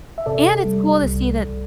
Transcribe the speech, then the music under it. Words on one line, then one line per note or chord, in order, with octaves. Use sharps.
And it's cool to see that
E5
C3 A4 D5
G3
C2
C2